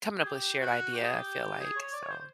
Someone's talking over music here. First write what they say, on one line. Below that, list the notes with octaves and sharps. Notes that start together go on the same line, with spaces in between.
coming up with a shared idea, I feel like, so
G#4
G4
F#4
G4
G#4
G4
G#4
C#5
D5
C#5
C5